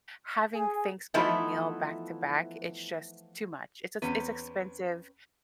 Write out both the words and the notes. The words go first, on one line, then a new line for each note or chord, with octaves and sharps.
having Thanksgiving meal back-to-back, it's just too much. It's eh it's expensive.
G#4 G#5
E3 F3 A3 B3 D#4 E4
E2 C4 C#4 B4